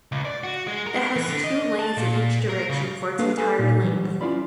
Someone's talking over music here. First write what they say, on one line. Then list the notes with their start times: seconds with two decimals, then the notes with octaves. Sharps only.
It has two lanes in each direction for its entire length.
0.12 C#2
0.25 D5
0.43 F#4
0.67 G#3
0.87 A#4
1.16 E3
1.29 D3
1.44 D#5
1.79 A5
1.97 A#2
2.50 A#4
2.70 C#3
3.19 A#3 D4 A4 B4 F5
3.38 A4 G#5
3.59 A#2 D#4
3.84 E3 F#3 G3
4.21 C#4 E4 F4 D5 B5